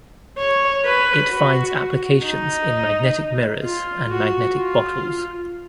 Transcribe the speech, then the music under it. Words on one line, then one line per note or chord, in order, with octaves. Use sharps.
It finds applications in magnetic mirrors and magnetic bottles.
C#5
B4
F#4
D#4
F4
F#4
F4